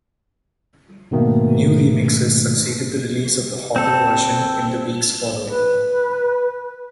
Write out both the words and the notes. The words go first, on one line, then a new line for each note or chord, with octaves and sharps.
New remixes succeeded the release of the "Hotter" version in the weeks following.
G#2 B2 D#3 A3 A#3
C4 A4
B4